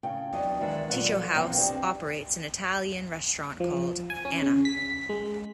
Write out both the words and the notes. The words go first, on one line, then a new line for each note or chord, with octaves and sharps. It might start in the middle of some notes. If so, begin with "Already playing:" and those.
Ticho House operates an Italian restaurant called Anna.
A2 C#3 G5
E2 F#3 D4 D#5
D#3 E3 G#3 D5 E5 F#5
A#2 F#3 A4 B4 F#5
C3 F3 A#3 B3 D#4 G5
C4 D4 D#4 G4
F3
G#5
C#4
C#3
B6
G#3